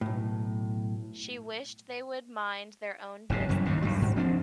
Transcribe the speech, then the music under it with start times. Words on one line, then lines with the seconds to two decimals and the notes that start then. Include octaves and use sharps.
She wished they would mind their own business.
0.01 B1 A2
3.30 F#1 G#2 C3
3.49 G1 F#2 C#3 E3
3.66 D#2 G#2 C#3
3.82 D2 G2 F3 F#3
4.02 G#2
4.16 F3 C4 D4